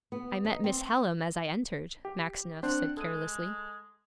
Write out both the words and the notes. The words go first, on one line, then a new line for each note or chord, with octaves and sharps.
'I met Miss Hallam as I entered,' Maxineff said carelessly.
B3
D#4
C4
G4
C4 D4 C5 F#5
G#3 A4 D#7